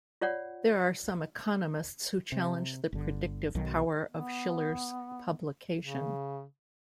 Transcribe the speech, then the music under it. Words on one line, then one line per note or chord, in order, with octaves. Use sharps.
There are some economists who challenge the predictive power of Shiller's publication.
F4 C#5 D5 F#5
C3
G1 D3
B1 D#3 F#3
B3
C#3